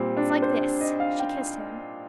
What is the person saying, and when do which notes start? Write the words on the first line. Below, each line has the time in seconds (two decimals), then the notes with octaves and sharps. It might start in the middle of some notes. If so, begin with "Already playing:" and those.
"It's like this." She kissed him.
Already playing: A#2 G3 C4
0.17 D4
0.42 C5
0.81 D#5
1.00 F5
1.19 G5